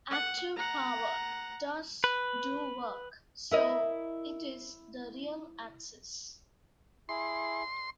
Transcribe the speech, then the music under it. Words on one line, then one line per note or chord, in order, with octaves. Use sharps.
Active power does do work, so it is the real axis.
F#5
F#5 A#5
B4
E4 A#4 D#5
E4 G#4 C6